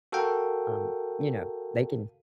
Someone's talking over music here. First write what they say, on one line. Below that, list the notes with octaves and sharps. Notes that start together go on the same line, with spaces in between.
Um, you know, they can
F#4 A4 A#4 F5 G5